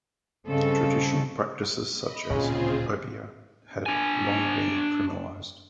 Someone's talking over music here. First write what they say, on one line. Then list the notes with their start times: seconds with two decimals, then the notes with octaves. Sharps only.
Traditional practices such as obeah had long been criminalised.
0.47 G2 C#3 C4 A4 D#5
1.96 D#5 B5
2.30 D1 A#2 C#3 A#3 C4 F4 G#4
3.86 D4 G#5